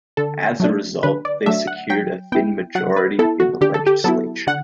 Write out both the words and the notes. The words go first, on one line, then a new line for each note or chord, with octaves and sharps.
As a result, they secured a thin majority in the legislature.
D3 A4
F#3 A3 D4
D3 B4
D5
F#3 A3 D4 E5
F#5
F#3 G5
B3 E4 G5
F#3 F#5
B4
B3 E4 A4
F#4
D3 G4
A4
G4
F#3 B3 E4 A4
D3 F#5